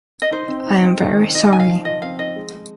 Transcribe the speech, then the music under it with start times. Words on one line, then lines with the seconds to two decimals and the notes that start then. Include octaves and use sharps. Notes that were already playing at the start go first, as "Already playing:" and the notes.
I am very sorry...
0.22 D#5
0.31 D#4 C5
0.48 C4
0.66 D#4
0.83 C4
1.01 D#3
1.18 D#4
1.34 D#4 D#5
1.52 D#4 G#5
1.60 F5
1.68 F3
1.85 F3 D#5
2.02 C4 F5
2.19 D#4 D#5
2.36 G#3
2.53 G#3